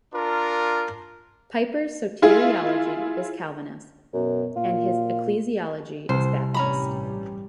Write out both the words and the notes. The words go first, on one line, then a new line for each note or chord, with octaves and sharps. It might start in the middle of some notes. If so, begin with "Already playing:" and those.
Piper's soteriology is Calvinist, and his ecclesiology is Baptist.
D4 F4 A#4
E4 F4 G#4
F#2 B2
A#2 F4
C2 C3 C5
A1 G2 G3 C#4 A#5 B5